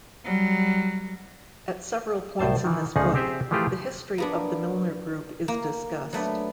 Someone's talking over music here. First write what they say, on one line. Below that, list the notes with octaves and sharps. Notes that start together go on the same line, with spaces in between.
At several points in this book, the history of the Milner group is discussed.
F#3 G3
C2 A2 C5 A5
D#3 E3
D2 C#3 F3 D#4 G#4 F#5
C4 G4 G#4 C5 E5
E3 F3 A3 F4 G4 G#4
A#3 B3 D4
A#3
F#3 A3 B3 D4